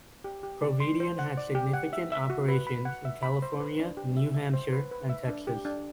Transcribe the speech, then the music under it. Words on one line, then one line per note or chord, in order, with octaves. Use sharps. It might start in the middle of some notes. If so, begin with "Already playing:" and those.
Providian had significant operations in California, New Hampshire, and Texas.
G4
G4
D5
C6
C5
F#5
D5
G4
F#5
E5
E5
F#4
B4
B5
F#5
E5
B5
C5
B4
D4
G4
E5
E5
C5
B4
B4
E5
D4
G4
D4